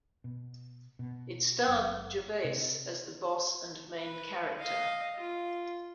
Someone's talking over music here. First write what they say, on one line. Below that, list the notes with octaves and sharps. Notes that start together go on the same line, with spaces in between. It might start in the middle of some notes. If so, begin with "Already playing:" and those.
It starred Gervais as the boss and main character.
B2
B2
F#1
C3
B4
D#5 F5
F4